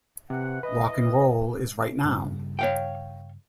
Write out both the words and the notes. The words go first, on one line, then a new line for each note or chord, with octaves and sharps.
Rock'n'roll is right now.
C3 E3 F#5
E3 B4 D#5
G2 C#3 G3
C#5 F5 G5